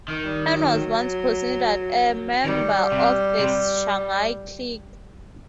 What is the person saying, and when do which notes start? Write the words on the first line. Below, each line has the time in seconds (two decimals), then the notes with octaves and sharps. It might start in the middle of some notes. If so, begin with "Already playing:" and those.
Han was once considered a member of the Shanghai clique.
0.08 D#3
0.24 G3
0.55 F#3
2.44 D#3 G3
2.92 C3
3.39 C3